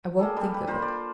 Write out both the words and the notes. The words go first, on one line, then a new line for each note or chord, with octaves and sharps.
I won't think of it ...
A#3 G#4 A4
G3
B4
A#3 F4 C5 B5
D5